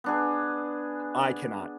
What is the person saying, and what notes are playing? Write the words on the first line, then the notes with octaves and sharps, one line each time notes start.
I cannot.
B3 D4 G#4